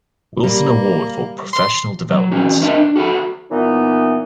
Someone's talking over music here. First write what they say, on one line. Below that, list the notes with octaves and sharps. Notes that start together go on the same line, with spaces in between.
Wilson Award for Professional Development.
G3 A#3
C6
F#3
E3 C#4 F#4
D4 D#4 A#4 C5 D#5 E5
D4
F#4 A4 C#5 E5 B5
A#2 E3 B3 D#4